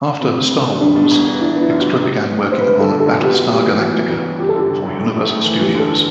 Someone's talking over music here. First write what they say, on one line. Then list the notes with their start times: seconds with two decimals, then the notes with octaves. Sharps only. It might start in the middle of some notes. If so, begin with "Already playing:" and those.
After "Star Wars", Dykstra began working on "Battlestar Galactica" for Universal Studios.
0.21 D2 C4
0.36 G3
0.51 D2
0.66 D3
0.81 G3 D4
0.96 B2
1.11 E1
1.26 E2
1.40 D4 E4
1.56 B3
1.61 E4
1.70 F#2
1.81 F#4
1.86 F#3
2.00 A2 G4
2.16 B3
2.31 A2
2.45 G3
2.51 C5
2.60 G1 B4
2.76 D3 A4
2.91 G1
3.00 A4
3.06 F#2
3.20 B3 G4
3.34 G3 F#4
3.48 A2 G4
3.65 E3
3.80 B3 F#4
3.96 F#3
4.10 A1
4.25 G2
4.39 F#1 G4
4.49 A4
4.55 D3 G4
4.70 F#1
4.85 F#2
5.00 A2
5.14 A3
5.30 A2
5.45 E3
5.59 G1 G4
5.74 D3
5.80 A4